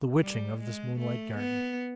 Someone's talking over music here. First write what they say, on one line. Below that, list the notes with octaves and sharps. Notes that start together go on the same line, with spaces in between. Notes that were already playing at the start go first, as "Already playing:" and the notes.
The witching of this moonlit garden!
G3
G#3
A3
B3